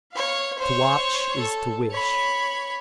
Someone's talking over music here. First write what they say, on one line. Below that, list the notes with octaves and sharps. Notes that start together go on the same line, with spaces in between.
To watch is to wish.
C#5 F5
C5 C#5
A4
C#5 B5